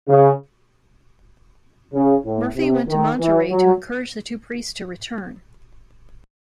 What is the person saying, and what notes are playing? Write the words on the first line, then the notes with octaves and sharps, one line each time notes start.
Murphy went to Monterrey to encourage the two priests to return.
C#3
C#3
A2
C3
D#3
E3
F#3